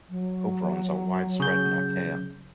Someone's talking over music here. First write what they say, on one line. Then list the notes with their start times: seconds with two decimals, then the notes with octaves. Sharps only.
Operons are widespread in archaea.
0.10 F#3
1.40 C#3 G6